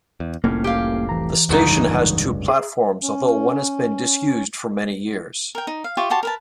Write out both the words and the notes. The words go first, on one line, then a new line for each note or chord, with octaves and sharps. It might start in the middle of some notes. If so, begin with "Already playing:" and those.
The station has two platforms although one has been disused for many years.
E2
F1 C2 A2 A#3 C#4
G4 F5
E3 A#5
F1 C#2 G2 B2 F#3 D#4
G#4
C#4
A#4 G5
D#4
F5
F4 G4 E5 C#6
F#4 G4 A5 C6
A#4 B4 A5